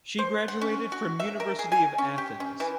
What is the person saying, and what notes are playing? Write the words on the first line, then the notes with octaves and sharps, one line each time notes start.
She graduated from University of Athens.
C5
F#5
C#4
F#4
E5
A#4
G#4
G#5
C#4
G4
C#4
E3